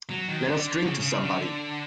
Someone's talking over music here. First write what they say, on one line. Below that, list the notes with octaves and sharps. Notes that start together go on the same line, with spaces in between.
Let us drink to somebody.
F#3
D#3
D3
C#3
C#3
D3